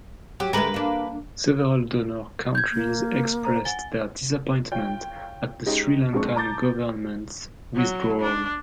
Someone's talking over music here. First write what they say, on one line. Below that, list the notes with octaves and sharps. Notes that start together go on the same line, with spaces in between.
Several donor countries expressed their disappointment at the Sri Lankan government's withdrawal.
F#3 G4
D3 G#3 A3 A#4 B4
A#3 D4
G6 G#6
A#3
C5 A#5
F#5 G#5 A6 G7
F4 C#5 G5
G#3 C#4 D#4 G4
A#1 G#2 G#3 C4 D4 C#6
A5 A#5 D6 G6 A6
F#3
D4